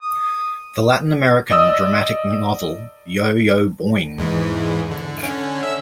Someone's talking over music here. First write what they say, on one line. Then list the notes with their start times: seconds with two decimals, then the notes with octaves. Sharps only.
The Latin American dramatic novel Yo-Yo Boing!
0.02 D#6
1.50 D5 D#5 D#6 E6
4.18 E2 G#2 E3
4.91 D3
5.23 D3 C#4
5.63 E5 E6